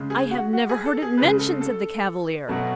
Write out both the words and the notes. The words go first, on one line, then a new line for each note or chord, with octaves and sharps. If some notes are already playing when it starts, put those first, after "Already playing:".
"I have never heard it mentioned," said the Cavalier.
Already playing: C#3 G#3
G#4
F#4
F#4
G#4
A4
G#4
C#3 G#3 B4
A4
A4
B2 F#3 A3